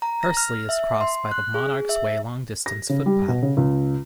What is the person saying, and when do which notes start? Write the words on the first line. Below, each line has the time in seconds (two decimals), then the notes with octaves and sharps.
Hursley is crossed by the Monarch's Way long distance footpath.
0.02 A#5
0.23 A#6
0.37 F6
0.69 E5
1.01 C6
1.31 F#6
1.54 G#4
1.89 E5
2.66 A#6
2.89 C#3
3.06 G3
3.28 B2
3.42 C#3
3.57 C#2